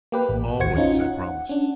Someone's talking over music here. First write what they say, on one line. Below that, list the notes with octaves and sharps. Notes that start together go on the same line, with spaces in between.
"Always," I promised.
A#3 G4 B4
A1
A1 D#2 F#4 C5 G#6 C#7
C#4 D#4 F4
F#5
C#4 D4